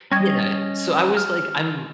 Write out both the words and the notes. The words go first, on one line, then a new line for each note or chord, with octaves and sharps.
Yeah. So, I was, like, I'm
G3 C#4 D#5 C#6 G#6
F6